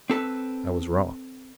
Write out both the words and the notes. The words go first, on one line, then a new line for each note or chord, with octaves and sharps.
I was wrong.
C4 A4 B4